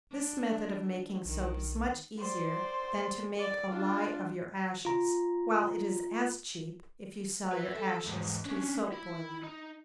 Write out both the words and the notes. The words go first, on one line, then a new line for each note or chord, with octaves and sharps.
This method of making soap is much easier than to make a lye of your ashes, while it is as cheap, if you sell your ashes to the soap-boiler.
D4
B1 D#3
C5 D5
D5
D4 F4
F4 A#5
B4 E5
A4
E2 G#2
C#4 D4
E4 B5
D#4